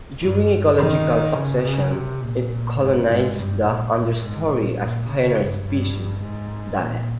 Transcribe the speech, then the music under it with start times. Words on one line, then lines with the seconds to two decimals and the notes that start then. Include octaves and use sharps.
During ecological succession, it colonizes the understory as pioneer species die.
0.20 G2
0.78 D#3
1.35 C#3
1.64 C#3
1.92 C3
2.21 A#2
2.79 G#2
3.07 G#2
3.35 G2
3.65 A#2
3.93 A#2
4.21 G#2
4.50 A#2
4.79 A#2
5.07 C#3
5.36 G2
5.64 G2
6.22 G#2
6.79 A#2